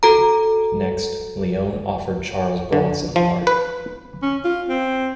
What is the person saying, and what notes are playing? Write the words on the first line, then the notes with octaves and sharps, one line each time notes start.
Next, Leone offered Charles Bronson the part.
F#4 A4 A#5
D3
F3
B4
C#4
F4
C4